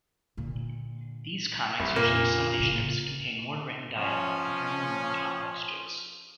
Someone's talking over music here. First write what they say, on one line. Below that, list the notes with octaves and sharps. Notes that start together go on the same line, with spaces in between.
These comics, usually Sunday strips, contain more written dialogue and generally more complex jokes.
A#2 D3
C2 F2 D#3
A#2 A#3
A1 C#3
F3 C#4